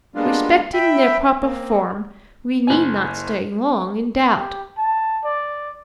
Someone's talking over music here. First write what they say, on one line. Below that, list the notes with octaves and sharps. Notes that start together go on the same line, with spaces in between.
Respecting their proper form we need not stay long in doubt.
G3 G#3 A#3 B3 D4 F4
E5 G5 B5
A#3 C4
F#1 G#5
G4
A5
D5